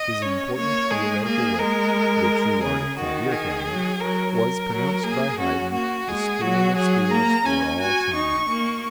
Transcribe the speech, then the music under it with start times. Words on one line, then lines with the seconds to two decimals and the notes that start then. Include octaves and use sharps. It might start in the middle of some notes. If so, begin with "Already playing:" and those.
His important theoretical work, "The True Art of Clavier Playing," was pronounced by Haydn the school of schools for all time.
Already playing: D#5
0.22 C#4 C#5
0.57 A#3 C#5
0.91 G#3 G#4
1.26 A#3 G#4
1.59 G#3 A#4
2.63 C#3 G#4
2.98 D#3 F#4
3.32 G#4
3.67 F#3
4.00 F#3 A#4
4.36 A#4
4.70 F#3
5.04 A#3 G#4
5.38 C#4 F#4
5.73 A#3 F#4
6.08 G#3 G#4
6.41 F#3 F#4
6.77 F#3 G#4
7.10 A#3 A#5
7.45 C#4 G#5
7.79 F#4 G#5
8.14 D#4 C#6
8.49 A#3